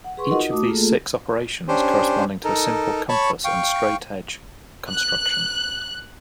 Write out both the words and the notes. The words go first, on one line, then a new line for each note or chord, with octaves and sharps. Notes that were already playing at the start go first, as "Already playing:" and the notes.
Each of these six operations corresponding to a simple compass and straightedge construction.
F#5
G#4 B4 C6 C#6
D#4 F4 F#4 A#4 D#5 F#5
A3 F#4 D6 D#6
A3 A#3 F4 G#4 A4
C#4 D4 G4 C5
D#4 A4 A#4
C#5 A5 B5 C#6
F5 G5 C#6
F#6